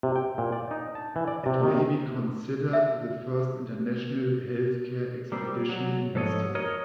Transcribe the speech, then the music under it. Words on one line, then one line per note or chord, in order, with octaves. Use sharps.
It may be considered the first international healthcare expedition in history.
C3
G5
A#2
D5
D#4
A5
E3
D5
C3
D#3
E5
G3 A#3 C4
F#3
G#2 F3 A4 C#5 D#5
A#4 C#5 D#5